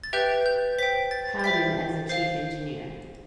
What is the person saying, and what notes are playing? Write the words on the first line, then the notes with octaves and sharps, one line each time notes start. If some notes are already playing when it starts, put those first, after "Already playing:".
Howden as the chief engineer.
A6
G4 B4 E5 G5 G6
G6
C5 G5 B6
A6
A6
C5 E5 G5 B6
C5 F5 C7